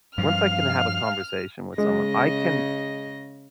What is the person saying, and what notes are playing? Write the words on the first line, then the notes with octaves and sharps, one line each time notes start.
once I can have a conversation with someone, I can
G2 F3 F5 F6
C#3 G#3 D#5 A#6